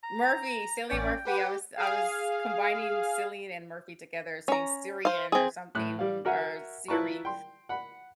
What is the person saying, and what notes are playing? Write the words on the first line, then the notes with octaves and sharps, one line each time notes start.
Murphy, Cillian Murphy, I was I was combining Cillian and Murphy together saying Syrian or something or Siri,
A#5
A1 C#4 D5 G5
G4 B4 F#5
G4
G#4 F5
C#4 A#5
C5 F5
C4 G#4
A2 F#6
G3 F5
F#4 A#4 E5 F#5 G#5
E4 F4 B4 A5 A#5 C#6
G5 C6
F#5 B5